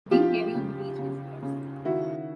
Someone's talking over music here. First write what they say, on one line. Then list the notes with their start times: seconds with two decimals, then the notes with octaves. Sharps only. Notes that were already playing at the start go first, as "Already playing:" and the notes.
Being heavy on the beach is worse.
0.11 F3 F4 G4
0.55 C#3
0.99 C#3
1.42 C#3
1.85 D#3 E4 F#4